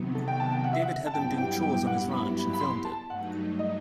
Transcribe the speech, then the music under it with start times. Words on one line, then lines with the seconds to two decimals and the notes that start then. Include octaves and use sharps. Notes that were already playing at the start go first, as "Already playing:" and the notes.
David had them doing chores on his ranch and filmed it.
Already playing: C3 D#3 F#3 B3
0.15 A4
0.28 G5
0.40 A5
0.52 G5
0.64 F#5
0.73 E5
0.82 F#5
1.07 A5
1.13 G2 F#3 B3 E4 G4 G5
1.38 G5
1.63 G5
1.87 F#5
2.11 B5
2.53 B5
2.60 C6
2.85 A5
3.10 G2 F#3 A3 D#4 F#5
3.59 D#5